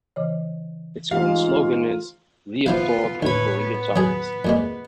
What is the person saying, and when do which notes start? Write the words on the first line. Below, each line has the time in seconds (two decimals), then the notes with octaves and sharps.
Its current slogan is "Real Talk for Real Times".
0.16 C#3 E3 C#5
1.11 G#2 E3 A3 F4 G4 F5
2.66 F3 B3 E4 F4 F5
3.23 D2 A2 B4 C#5 B5
3.58 B3
3.96 F#3 G#4
4.45 F2 A#2 G#3